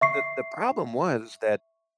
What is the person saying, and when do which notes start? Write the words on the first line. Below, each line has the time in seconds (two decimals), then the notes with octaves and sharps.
the the problem was that
0.01 E5 C#6 C7